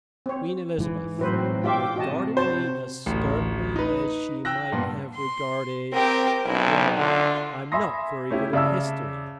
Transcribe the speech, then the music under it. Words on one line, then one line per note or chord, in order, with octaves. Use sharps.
Queen Elizabeth regarded me as sternly as she might have regarded--Well, I'm not very good at history.
C4 C#5
G#2 E3
A2 F#3 C4 E4 B4 C5
F4 G4 E5 G5 D6
C3 F#4 D#5 A5
F#4 C5 A5
A1 D2
D#4 B4
G5 E6 F#6 A#6
G2 A#2 F3 B3
C6
C4 G4 A#4
B1 C#4 E4
D3 F4
E5 G#5 B5 C6 D#6 A#6
A3 C#4 E4 G4
C#3 D5 E5 A5 E6